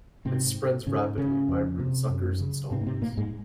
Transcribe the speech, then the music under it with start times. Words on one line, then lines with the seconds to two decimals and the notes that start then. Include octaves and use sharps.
It spreads rapidly by root suckers and stolons.
0.25 G#2 C3 C4
0.86 G#2 C#3 C#4
1.18 C#3 C#4
1.48 F2
1.79 C3
2.10 F#2
2.40 C#3
2.71 G#2 C3 C4
2.82 A#3
2.87 C3 C4
3.02 A#2 A#3
3.17 G#2 G#3